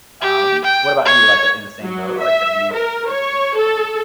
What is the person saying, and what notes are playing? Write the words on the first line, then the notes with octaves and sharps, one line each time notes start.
Um, what about you? Like, in the same boat? Like, have you
G4
G5
C#5
F#3
E5
A#4
C#5
A4